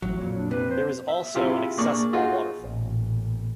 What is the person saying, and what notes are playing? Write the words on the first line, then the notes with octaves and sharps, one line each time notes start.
There is also an accessible waterfall.
A1 F#3
F2 A#2 C#5
D4
C3 B4
C5
E5
C3 E4 F4 G4 G#4
A#2 A#3 D4 G#4 D5 C#6
D#4 F4 F#4 G#4
A1 A#2